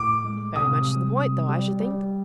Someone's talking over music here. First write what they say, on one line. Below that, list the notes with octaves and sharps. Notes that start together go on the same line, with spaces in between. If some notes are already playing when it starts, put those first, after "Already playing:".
'Very much to the point though, I should think.
Already playing: A2 D6
G#3
C3 D#6
G3
C3
G3
G3